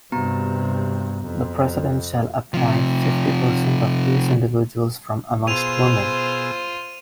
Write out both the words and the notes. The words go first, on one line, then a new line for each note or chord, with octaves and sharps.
The President shall appoint fifty percent of these individuals from amongst women.
G2 C3 B3 F#4 A#5
F2
C3 F3
B2 F4 G#4 C5 E6 D#7 F7